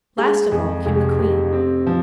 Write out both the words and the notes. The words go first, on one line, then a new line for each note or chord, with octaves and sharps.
Last of all came the Queen.
G#3 G#4
F2 G#4
F1 G#4
C3
C4
F3